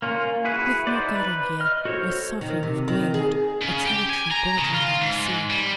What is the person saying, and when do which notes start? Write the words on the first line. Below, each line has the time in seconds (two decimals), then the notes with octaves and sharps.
Gwyddno Garanhir was sovereign of Gwaelod, a territory bordering on the sea.
0.02 A#3 C#4 F4
0.44 E4 F#4 G#4 B4
0.87 D#4 E4 C5 D5
1.15 B4
1.60 D#5 F6
1.85 F#4 A4 C5 C#5
2.41 D#3
2.63 C3
2.88 D#3
3.14 G#4
3.61 C#3
3.86 G4
4.09 G#5
4.31 A#5
4.58 C#3
4.74 F4
5.01 G#2
5.50 G3